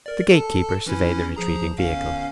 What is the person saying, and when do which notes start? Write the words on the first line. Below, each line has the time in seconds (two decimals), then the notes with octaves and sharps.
The gatekeeper surveyed the retreating vehicle.
0.06 A#4 D5
0.32 A4 A5
0.86 E3 C#4 E4
1.36 F3 G#4 A#5
1.78 G1 C#4 F5